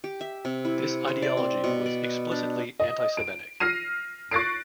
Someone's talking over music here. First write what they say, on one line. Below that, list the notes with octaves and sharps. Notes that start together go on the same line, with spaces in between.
This ideology was explicitly antisemitic.
G4
E5
C3
E4
C5
D5
C4
B2
D5
B4
D4
D#5
D7
F6 A#6 C7 D#7
C#6 F#6 A6 A#6 C7 D7